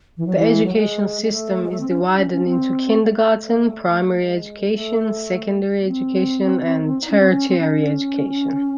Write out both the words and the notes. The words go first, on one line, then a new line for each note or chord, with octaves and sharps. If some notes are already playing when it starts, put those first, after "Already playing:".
The education system is divided into Kindergarten, primary education, secondary education and tertiary education.
E3
F#3
E3
F#3
G#3
G#3
A3
G#3
A3
C4
C#4
D#4
C#4
C#4
C4
A3
A3
G#3
A3
A3
C4
D#4
C#4
C4
C#4
C4
C#4